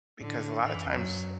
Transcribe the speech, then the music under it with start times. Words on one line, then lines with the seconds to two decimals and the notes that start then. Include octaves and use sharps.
Because a lotta times
0.21 A2 D3
0.64 A2 E3
0.76 F#2
0.86 E2
0.94 F#2 F#3